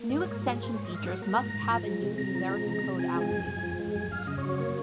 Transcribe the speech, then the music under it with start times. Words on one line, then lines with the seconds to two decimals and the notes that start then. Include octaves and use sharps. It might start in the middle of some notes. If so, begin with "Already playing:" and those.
New extension features must have a new numeric code allocated.
Already playing: A#3
0.09 G#2 D#5
0.20 C#5
0.25 G#2
0.31 A#4
0.42 F#3 A#4
0.52 G#4
0.58 A#3 C5
0.74 G#2 C#5
0.85 D#5
0.90 G#2
0.95 F5
1.06 F#3 F#5
1.22 A#3 A#5
1.38 G#2
1.54 G#2
1.70 F3
1.86 G#3
2.02 C3
2.18 C3 A#5
2.35 F3 A#5
2.51 G#3
2.67 C3 A#5
2.83 C3
2.99 F3 G#5
3.09 G#5
3.15 G#3
3.21 G#5
3.31 F#2
3.47 F#2
3.63 F3
3.80 G#3
3.95 F#2 G#5
4.12 F#2 F5
4.27 C#3 D#5
4.38 C#5
4.44 F#3
4.49 C#5
4.60 A#3